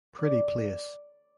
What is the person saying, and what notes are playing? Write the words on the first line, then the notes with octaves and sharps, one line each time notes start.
Pretty place.
D5